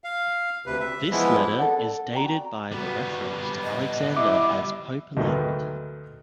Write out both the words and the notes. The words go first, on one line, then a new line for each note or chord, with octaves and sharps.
This letter is dated by the reference to Alexander as "Pope-elect".
F5
D2 C3 B4
E5
E3 F3 G#3 B3 E4
A4 D5 F#5
A4
F#4 D5 G5 A#5
G3 B3 F#4
D#5
E4 D6
D2 G#2 D#3 F#3 B3